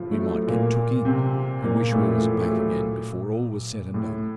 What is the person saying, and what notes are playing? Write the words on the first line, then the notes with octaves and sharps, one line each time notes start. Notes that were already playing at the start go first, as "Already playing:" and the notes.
We might get took in, and wish we was back again before all was said and done.
Already playing: A2 F3
A3
F#3
A#2 A#3
C3 C4
A#2 A#3
A2 A3
F3
A3
F#3
A2 A3